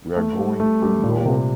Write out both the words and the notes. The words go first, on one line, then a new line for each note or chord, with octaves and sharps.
We are going to Lloar.
A3
G3
A3
G3
A#2
C3